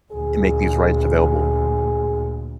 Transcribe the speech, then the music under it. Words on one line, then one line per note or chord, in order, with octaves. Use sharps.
and make these rights available."
D2 A#2 G#4